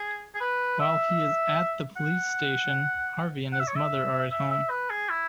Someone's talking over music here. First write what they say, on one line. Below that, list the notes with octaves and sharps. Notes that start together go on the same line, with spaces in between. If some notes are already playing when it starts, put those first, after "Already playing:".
While he is at the police station, Harvey and his mother are at home.
Already playing: G#4
G#4
B4
E5
F#5
F#5
E5
C#5
E5
E5
E5
B4
G#4
E4